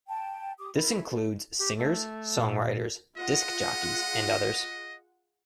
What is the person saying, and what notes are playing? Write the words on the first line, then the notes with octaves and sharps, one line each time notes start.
This includes singers, songwriters, disc jockeys, and others.
G5 A5
G4 D6 D#6
E4 A#4 B5
A4
G4
A3
A#2
F4 G#4 D#5 F#5